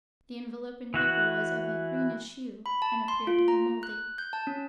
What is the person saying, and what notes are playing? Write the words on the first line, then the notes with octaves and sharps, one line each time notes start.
The enveloping paper was of a greenish hue, and appeared to be mouldy.
E3 F#4 F#6
B5
A5
C6
F4
A#5
F#6
G6
A5
C#4